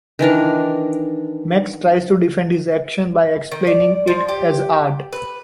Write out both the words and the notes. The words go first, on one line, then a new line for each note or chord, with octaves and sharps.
Max tries to defend his action by explaining it as art.
D#3 E3 D4 A#4
D#3
D5
F3
G4
B4